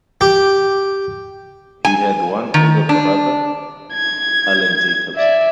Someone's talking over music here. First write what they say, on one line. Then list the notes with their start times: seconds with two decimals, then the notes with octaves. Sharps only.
He had one older brother, Allen Jacobson.
0.21 G4
1.85 G#5
2.54 D#3
2.89 D4
3.94 G#6
5.16 D5 E5